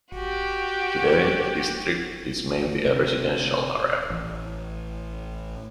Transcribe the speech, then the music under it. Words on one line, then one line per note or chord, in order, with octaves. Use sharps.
Today, the district is mainly a residential area.
F#4 G4
C3
A1